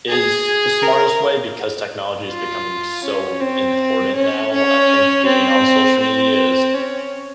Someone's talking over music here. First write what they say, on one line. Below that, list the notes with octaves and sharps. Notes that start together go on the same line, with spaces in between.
is the smartest way because technology is becoming so important now. I think being on social media is
G#4
A#4
F4
C#4
C4
C#4
C#4
C4
C4
C#4